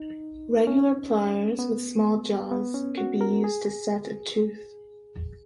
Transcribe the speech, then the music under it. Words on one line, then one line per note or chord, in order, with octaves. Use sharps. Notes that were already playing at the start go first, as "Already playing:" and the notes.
Regular pliers with small jaws could be used to set a tooth.
Already playing: D#4
C#4
B3
B3
C#4
F#4
A#4
G#4